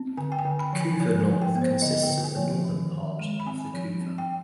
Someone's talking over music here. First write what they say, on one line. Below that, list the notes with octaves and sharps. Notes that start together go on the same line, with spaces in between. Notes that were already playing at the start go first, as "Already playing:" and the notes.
Couva North consists of the northern part of the Couva.
Already playing: C4
D3 G#5
G5
G#5
D3
B5
F3
G#5
F3 G#5
G#5
F3
G5
B3
C5
D3 D#5
G5
D3
G#5
F3
D#3
D#3
G#3
B5
C4 G#5
F3
C4
G5